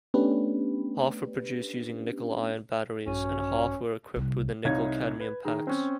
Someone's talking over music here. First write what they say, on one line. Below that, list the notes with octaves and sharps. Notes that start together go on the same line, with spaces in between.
Half were produced using nickel-iron batteries and half were equipped with the nickel-cadmium packs.
A3 B3 C#4 D4 G4 B4
A#1 G2 C#4 F#4
C2
C2 D#4 C#5 F5 G#6
B4
D#3 G#4 A#5
C4 C#4